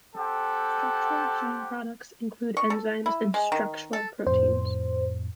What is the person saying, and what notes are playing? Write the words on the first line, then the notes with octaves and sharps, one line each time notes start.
Structural gene products include enzymes and structural proteins.
C4 G4 A4 F#5
C#6
A4
E4
G#3
D#3
A4
F2 A2 C5